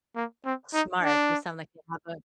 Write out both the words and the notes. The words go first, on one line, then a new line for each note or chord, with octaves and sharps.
Smart. You sound like you have a
A#3
C4
D#4
D4